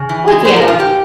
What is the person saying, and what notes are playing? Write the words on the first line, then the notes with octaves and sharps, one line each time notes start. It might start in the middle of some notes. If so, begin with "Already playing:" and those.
Well, I can't hold you to
Already playing: C#3
E3
G#3
A#2 C5
A#4
A#2
F4
A#2 G4